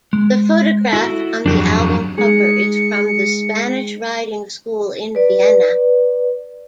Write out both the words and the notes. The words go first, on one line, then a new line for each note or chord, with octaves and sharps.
The photograph on the album cover is from the Spanish Riding School in Vienna.
G#3
E4 F#4 A4
F2 F#3 D4 G4 G#4
G#3 D#4 G#4 C#7
B4 D5